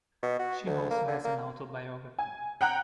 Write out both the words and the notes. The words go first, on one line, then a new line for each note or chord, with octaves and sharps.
She also has an autobiography.
B2
F#4
D2
A#3
D3
A#3
G#5
F#5 G5 A#5 F#6